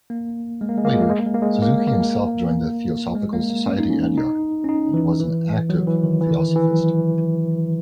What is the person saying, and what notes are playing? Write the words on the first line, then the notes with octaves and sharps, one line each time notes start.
Later Suzuki himself joined the Theosophical Society Adyar and was an active Theosophist.
A#3
G#3
A#3
G#3
A#3
G#3
A#3
G#3
A#3
G#3
A#3
G#3
A#3
A#3
G#3
A#3
A#3
C#4
D#4
C#4
D#4
C#4
D#4
E3
E3
F#3
E3
D#3
E3
D#3
E3
E3
F#3